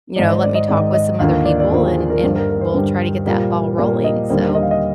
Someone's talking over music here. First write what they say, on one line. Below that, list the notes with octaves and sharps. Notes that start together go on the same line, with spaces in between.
you know, let me talk with some other people, and and we'll try to get that ball rolling." so
G#2 D#3 G#3 D5
C5
D5
D#5
G#2 D#3 G#3 D5
D#5
D#2 D3 F3 A#3 F5
D5
D5
D#2 D3 F3 A#3 C5
G#4
G#4
A#4
G2 D3 G3 C5
A#4
A#4
C5
G2 D3 G3
A#2 G3 A#3
A#2 G3 A#3 D5
D#5
D#2 D3 G3 A#3 C5
D#5
F5
D#5